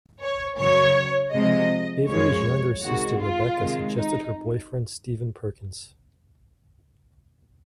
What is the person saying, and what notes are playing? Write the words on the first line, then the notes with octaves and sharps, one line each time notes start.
Avery's younger sister Rebecca suggested her boyfriend Stephen Perkins.
C#5
F#2 C#3 F#3 C#5
C3 F3 G#3 D#5
F#2 F3 G#3 C#5
C3 D#3 G#3 F#4
F4
C3 D#3 G#3
D#4